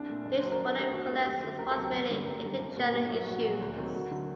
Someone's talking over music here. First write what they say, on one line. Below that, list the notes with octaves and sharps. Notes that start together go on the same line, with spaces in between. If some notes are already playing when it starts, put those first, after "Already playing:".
Each volume collects approximately eighty journal issues.
Already playing: C2 D4
A#2 A3
F#1
F#2 F#3 C5
A#4
F#2
A4
D#3 A3 G4
D#2 F#4
D#3 A3
F#1 G4
F#2 D3
D2 A#4
A4
C3 F#3 A#3
G4
G1
G2 D3 G3
F#1 A#4
F#2 D3 G3
C2
A#2 G3 A#3
G2 G4
F#3 A3
A#1 F#4
A#2 F#3 A#3
D2
C3 D#3 F#3
D2 F#4
D3 F#3 A#3